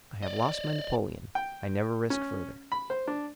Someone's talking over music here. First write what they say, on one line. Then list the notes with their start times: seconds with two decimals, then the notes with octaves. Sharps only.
I have lost my napoleon: I never risk further.
0.23 D5 D#5
1.35 G5
2.10 C#4
2.72 B5
2.90 C5
3.08 D4